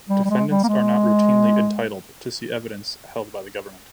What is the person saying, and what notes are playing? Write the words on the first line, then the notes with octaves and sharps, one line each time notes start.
Defendants are not routinely entitled to see evidence held by the government.
G3
G3
G#3
G3
A#3
G#3